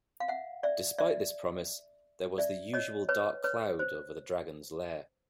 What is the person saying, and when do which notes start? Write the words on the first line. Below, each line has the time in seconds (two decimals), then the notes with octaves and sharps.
Despite this promise there was the usual dark cloud over the dragon's lair.
0.20 F5
0.28 E5 F#5
0.63 D5 E5
0.98 D5 E5
2.38 D5 E5
2.74 C#5 D#5
3.09 B4 C#5
3.44 B4 C#5
3.79 C5